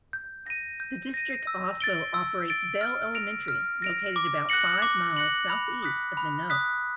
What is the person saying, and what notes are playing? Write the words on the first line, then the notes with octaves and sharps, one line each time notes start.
The district also operates Bell Elementary, located about five miles southeast of Minot.
G6
A#6 D#7
G6
A#6 D#7
E6
A6 D7 G7
E6
A6 D7 G7
F6
A#6 D7 F7
F6
A#6 D7 F7
D6
F#6 A#6 C#7 F#7
D6
F#6 A#6 C#7 F#7
B5
D#6 F#6 B6
B5
D#6 F#6 B6